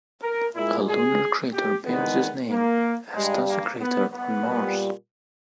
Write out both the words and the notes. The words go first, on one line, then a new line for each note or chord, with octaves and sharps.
A lunar crater bears his name, as does a crater on Mars.
A#4
A#2 G#3 E4
G#4
G4
E2 D#3 G#3 B3
A#3
G2 G3 G#3
A#3
B3
B3
A#2 G3